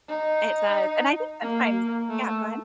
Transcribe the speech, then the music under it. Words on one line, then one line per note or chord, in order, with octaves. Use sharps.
It does, and I think sometimes yeah, go ahead.
D#4
A#3
A3